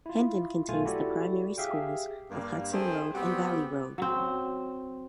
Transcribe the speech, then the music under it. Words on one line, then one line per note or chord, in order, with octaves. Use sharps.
Hendon contains the primary schools of Hudson Road and Valley Road.
E4 F4
B1 A3 F4 G#5
E4 F#4 G4 A4 D5
G4 G#4 E5 F5 G5
G2 A#3
C4 D4 E4 G#4 A4 C5
G3 B3 C4 F#4 G4
F#3 C4